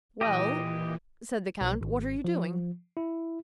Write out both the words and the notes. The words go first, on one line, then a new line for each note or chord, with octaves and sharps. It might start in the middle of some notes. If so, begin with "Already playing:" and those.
"Well," said the count, "what are you doing?"
A#2 E3 G4 D#5
B1
G#1
F3
E4